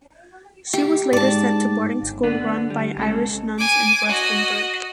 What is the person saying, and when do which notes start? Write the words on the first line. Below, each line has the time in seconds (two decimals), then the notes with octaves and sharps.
She was later sent to boarding school run by Irish nuns in Rustenburg.
0.73 G4
1.13 G#2 D5 A5
2.03 G1
2.23 D3 B3 D4 B4
2.70 G3
2.97 A#1 G#2 C#3 A4
3.59 G#5 D6
4.09 F#4 D#5